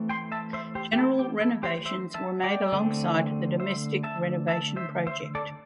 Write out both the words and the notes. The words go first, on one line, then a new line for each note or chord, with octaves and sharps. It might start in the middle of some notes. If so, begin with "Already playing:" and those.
General renovations were made alongside the domestic renovation project.
Already playing: E3 A3 C4
G5 C6
E5 A5
C5 E5
G4 C5
G4
E4 A4
G4
E4 A4
G4 C5
C5 E5
E5 A5
D5 G5
D3 A3 C4
C5 E5
E5 A5
E5 A5
C5 E5
C5 E5
A4 D5